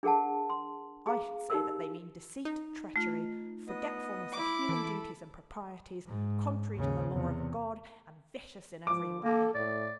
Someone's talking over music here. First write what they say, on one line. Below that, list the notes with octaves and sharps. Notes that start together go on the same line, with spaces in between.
I should say that they mean deceit, treachery, forgetfulness of human duties and proprieties, contrary to the law of God and vicious in every way.
D4 G#4 A#4 F#5 A5
C6
G#4 F5 A#5
D#4 G4 A#4 E6
D#4
A3 F4
B3 D#5 D#6
E4 D6
E3 A4 B5
G#2
D#2 C#3
E2 C3
F3 D6
A#3 A4
A2 D5